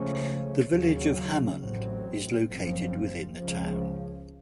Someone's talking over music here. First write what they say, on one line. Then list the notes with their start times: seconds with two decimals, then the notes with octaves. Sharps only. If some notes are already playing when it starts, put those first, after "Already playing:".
The Village of Hammond is located within the town.
Already playing: C#2 C#3 F3 A3 C#4
0.71 D#2 C#3 F#3
1.59 A1 A2 F#3 C4
2.46 F#1 F#2 F3 C4
3.35 C#2 C#3 F3